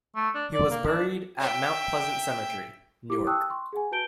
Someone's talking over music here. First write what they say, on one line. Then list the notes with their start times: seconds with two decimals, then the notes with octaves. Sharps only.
He was buried at Mount Pleasant Cemetery, Newark.
0.15 A3
0.34 D4
0.53 D5
0.71 A#3
0.85 D4
1.40 E5 G5
3.10 E4 G4 D6
3.27 G5 A5 C#6 D#6 E6 F#6
3.50 C6 C#6
3.73 G#4 F#5 G#5
3.91 F#4 B4 A5 G6 D7 G7